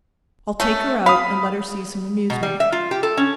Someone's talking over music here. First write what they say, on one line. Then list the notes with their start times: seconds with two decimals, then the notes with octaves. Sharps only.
I'll take her out and let her see some amusement.
0.60 A3 C#4
1.06 F5 B5 D#6
2.30 B2
2.43 G3
2.60 E5
2.72 F4
2.91 G4
3.03 A4
3.17 C#4